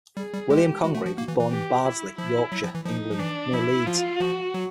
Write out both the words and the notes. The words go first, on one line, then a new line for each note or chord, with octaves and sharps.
William Congreve was born in Bardsey, Yorkshire, England near Leeds.
G3 G#4
G3
G#3 G4
G#3 F#4
A3
F3
A#3
E3
E3
G4
E4
F3 E4
F#3
F3
E3
F3 D#4
F3
E3 D4
F3 E4
F3 F4
F3 F#4
F#3